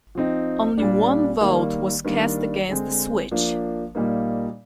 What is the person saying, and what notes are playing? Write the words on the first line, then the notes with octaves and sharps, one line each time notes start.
Only one vote was cast against the switch.
F3 C4 D#4
A#2 G3 D4
D#3 G3 A#3
D#3 G3 A#3 D4
D3 G#3 C4
F3 A#3 D4
A#2 G3 A#3 D#4